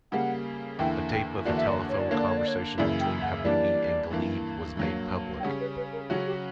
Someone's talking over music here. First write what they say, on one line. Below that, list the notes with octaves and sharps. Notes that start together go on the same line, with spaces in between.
A tape of a telephone conversation between Habibie and Ghalib was made public.
C#3 G3 A#3 F#5
E2 D3 A#3 E4 G5
G5
E2 D3 A#3 D4 F#4 D5
E5
D5
C#5
D5
D3 A#3 D4 C#5
D5
C#5
D5
C#5
F#2 C#3 E3 A#3 E4 D5
G5
F#5
E3 G3 A#3 D4 D5
G2 E3 A#3
G2 F#3 A#3
G5
C#3 G3 C#4 F#5
B4
B4
A#4
C#3 F#3 C#4 F#4 G4
G4